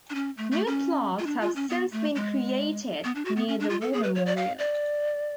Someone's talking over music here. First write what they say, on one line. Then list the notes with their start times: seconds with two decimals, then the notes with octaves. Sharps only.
New plaques have since been created near the war memorial.
0.10 D4
0.15 C#4
0.37 A3
0.52 A3
0.67 C#4
1.19 F4
1.26 D4
1.41 F4
1.56 C#4
1.70 B3
1.92 A3
2.15 G#3
3.04 B3
3.15 D4
3.25 F#4
3.36 B3
3.48 C#4
3.60 D4
3.70 F4
3.81 A4
3.93 G#4
4.03 B4
4.15 C#5
4.26 D5
4.37 F5
4.59 D5